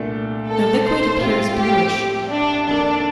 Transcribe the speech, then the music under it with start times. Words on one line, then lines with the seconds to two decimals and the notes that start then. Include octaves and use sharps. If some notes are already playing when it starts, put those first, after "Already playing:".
The liquid appears bluish.
Already playing: C2 A#2 A3 D4 A4
0.47 A4
0.85 C5
1.21 A2 G3 C4 F4
1.57 G4
2.30 D4
2.67 F2 D#3 A#3 D4 D#4 A4